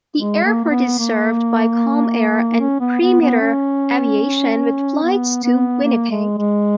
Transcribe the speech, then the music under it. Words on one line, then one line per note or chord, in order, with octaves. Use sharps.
The airport is served by Calm Air and Perimeter Aviation with flights to Winnipeg.
G#3
A#3
A#3
B3
A#3
C#4
B3
B3
B3
C#4
B3
B3
A#3
G#3
G#3